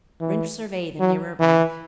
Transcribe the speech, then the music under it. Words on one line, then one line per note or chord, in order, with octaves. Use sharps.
Rynch surveyed the nearer bank.
E3
F#3
E3